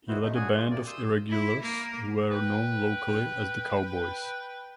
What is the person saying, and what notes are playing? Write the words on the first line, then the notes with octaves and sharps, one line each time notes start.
He led a band of irregulars who were known locally as the 'cowboys'.
E2 D#3 B3 E4 F#4 C5
G#2 C3 F3 A3 D#4
F#2 A#2 F#4 G#4 G#5
G#3 F4
D2 C3 A#3 D5
C6 D#6 E6 G6
E4
A#3
B4 G5